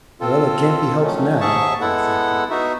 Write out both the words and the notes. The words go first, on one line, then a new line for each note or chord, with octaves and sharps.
"Well, it can't be helped now," I reflected.
C4 F4 A4
D#3 F3 F#3 A3 C#4
D#2 G#2 G#4 E5 A5 C#6
G#3 B3 E4 A4 F#5
B3 D#4 F#4 E5